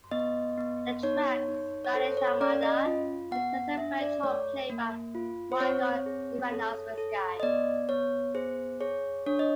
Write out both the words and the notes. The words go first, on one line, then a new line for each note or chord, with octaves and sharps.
The track "Spanish Armada" contains a French horn played by Michal Emanovsky.
B3 D#5
B3
D#4 C#5
D#4
C#5
A4 C5
C#5
C#4 D5
D#5
F4
B3 F#5
D4 E5
D5
A3 C#5
A#3
F4
C5
C4 C#5
G#4
A4
A4
D#5
B3 D5
B3 C#5
G#4 C5
G#4 C#5
D4 C#5
D#5